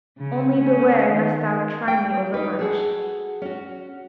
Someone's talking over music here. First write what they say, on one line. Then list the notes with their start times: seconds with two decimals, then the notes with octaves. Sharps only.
Only beware lest thou try me overmuch.
0.18 C#3
0.60 C#4
1.11 D#3
1.88 G5
2.34 D#4 B4
2.59 F#4 G#4 A4
3.42 C#4 F#4